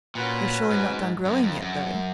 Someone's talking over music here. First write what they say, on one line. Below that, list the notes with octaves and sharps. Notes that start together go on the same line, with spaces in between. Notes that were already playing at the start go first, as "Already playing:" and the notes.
You're surely not done growing yet, though!
A#2 C#4 F#4 B4
G#2
F#2
F2
F#2